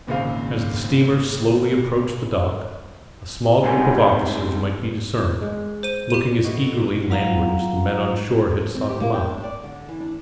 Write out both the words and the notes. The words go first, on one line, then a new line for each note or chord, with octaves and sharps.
As the steamer slowly approached the dock, a small group of officers might be discerned, looking as eagerly landward as the men on shore had sought them out.
G#1 A#2 C#3 C4 F5
C3 G3 G#3 B3 D#4 G#4
G#3
C5 D#7
G4 D#7
B2 A3
F#3 F4 F5 A#5
C4
G4
A#3
G5
D4
D5
D3
E3
D4